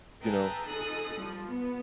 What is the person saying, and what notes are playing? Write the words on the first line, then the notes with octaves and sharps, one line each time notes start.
you know,
G#4 B4 E5 G5 A5 A#5
F2 D#4 G#4 A4 D#6 F#6
F3 G3
B3